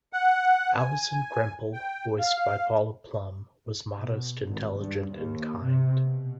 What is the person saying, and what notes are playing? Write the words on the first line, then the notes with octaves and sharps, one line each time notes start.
Alison Krempel, voiced by Paula Plum, was modest, intelligent and kind.
F#5
G#5
G5
F5
B2
G#1
G2
D#2
C3
B2